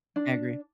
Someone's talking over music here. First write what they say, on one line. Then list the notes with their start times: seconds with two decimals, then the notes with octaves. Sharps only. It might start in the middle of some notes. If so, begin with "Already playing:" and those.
I agree.
0.16 D4